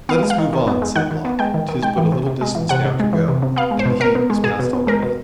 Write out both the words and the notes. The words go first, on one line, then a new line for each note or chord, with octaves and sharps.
'Let us move on,' said Block; 'tis but a little distance now to go, and the heat is past already.
B3 F5
G#3
F5
D#3
D#3
B3
G#3
D#3 F#5
D#3
B3
G#3 G5
D#3
D#3
G#3 G5
E3
C3
C3
G#3
E3
C3 F#5
C3
G#3
E3
C3
C3
B3 F5
G#3
C5
B2
B2 A#4
B3
G#3
B2 G#4
B2
B3
G#3 A#4
B2